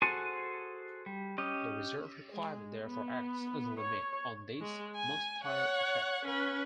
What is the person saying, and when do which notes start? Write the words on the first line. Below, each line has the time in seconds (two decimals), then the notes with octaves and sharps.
The reserve requirement therefore acts as a limit on this multiplier effect.
0.02 F#4 G#4 A4 C5 G#5
1.06 G3
1.38 C#4 G4 D#5
2.31 G#3
2.83 B3
3.80 C#5
4.61 G#3
4.96 G#5
5.43 C#5 F#5
6.25 C#4 B4